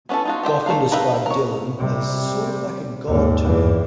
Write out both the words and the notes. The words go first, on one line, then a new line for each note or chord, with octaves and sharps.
Goffin described Dylan as "sort of like a god to me".
B3 C#4 D4 E4 A4
D#4 F4 F#4
G4 C5 E5 G5
A3 E4 A#4 F5
A#4 B4 E5 F5 G5
A#4 C#5
C3 G3
D#2 G#2
E2 G2